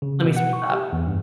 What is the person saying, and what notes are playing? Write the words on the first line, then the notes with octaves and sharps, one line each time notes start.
let me switch it up."
C#3
B2
F#5
C#6
G4
E2
G2